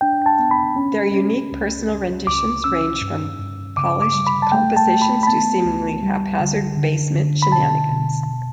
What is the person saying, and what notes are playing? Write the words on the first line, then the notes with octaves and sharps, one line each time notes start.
Their unique personal renditions ranged from polished compositions to seemingly haphazzard basement shenanigans.
D4 G5
A5
B3
B5
C#4
C#4
C#2
C#2
C#2 D6
C#4 E6
G2
G2
C#3 D6
D6
G3
B5
A5
A3 G5
A5
A3
B5
B5
B3 A5
C#2
G3
D3
D3
D3
B5
B2 A5
B2
B2